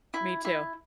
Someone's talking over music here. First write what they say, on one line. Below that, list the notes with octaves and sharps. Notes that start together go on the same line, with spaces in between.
me too,
E4
E4